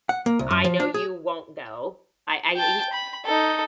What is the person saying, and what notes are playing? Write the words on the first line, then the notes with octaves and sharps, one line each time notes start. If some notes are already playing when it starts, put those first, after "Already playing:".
"I I know you won't go. I I" He's
F#5
A#3
C2
F#2
F3
D4
G#4
G5 A5
B5
D#4 A4